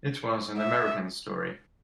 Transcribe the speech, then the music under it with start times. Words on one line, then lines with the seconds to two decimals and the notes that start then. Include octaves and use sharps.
It was an American story.
0.58 E5